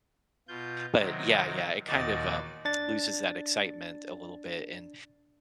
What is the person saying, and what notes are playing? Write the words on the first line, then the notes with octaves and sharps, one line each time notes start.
but yeah, yeah, it kind of, um, loses that excitement a little bit, and
B2 F4 G6
C3 D#3 F#3
D#2 A#2 D#4 F#4 D5 A6
D4 A6